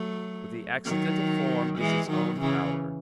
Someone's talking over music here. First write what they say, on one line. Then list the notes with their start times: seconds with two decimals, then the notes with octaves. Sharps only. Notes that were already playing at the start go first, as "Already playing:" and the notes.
But the accidental form is its own power.
Already playing: F#3 A3
0.85 D#3 F#3
1.78 E3 G#3
2.09 D#3 F#3
2.40 C#3 E3